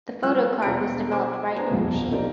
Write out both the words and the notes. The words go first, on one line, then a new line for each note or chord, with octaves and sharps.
The photo card was developed right in the machine.
G3 F4 E6 F#6
E1 B2 D4 F4 A#5 D7
C5 G#5 D6
B3 D4 C5 A#5
D#1 B1 F2 B2 G3
A#3 C4 D#4 G4 D5